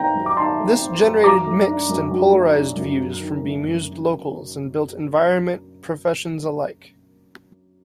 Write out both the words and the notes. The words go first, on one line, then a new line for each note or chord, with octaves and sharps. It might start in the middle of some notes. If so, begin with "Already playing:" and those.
This generated mixed and polarized views from bemused locals and built environment professions alike.
Already playing: D#3 A3 C4 G5 A#5
F#2
D6
D#3 A5 C6
A3
C4
F#2
F#3 A#5 D6
A3
D4
F#2
F#3
A3
D4
F#2
F#2
D#3
A3
F#1